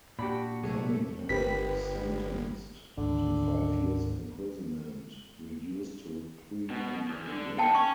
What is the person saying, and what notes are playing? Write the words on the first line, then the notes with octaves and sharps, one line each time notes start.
Cunningham was sentenced to five years imprisonment, reduced to three on appeal.
A#2 D4 F#4 G4 B5
C3 F#3 A3 A#3 G#4
G1 D4 G4 A#4 B4 B6
G3
G#1 D2 D3
B2
E2
D3
D#4 A4 F#5 G5 A5
C#4 C#6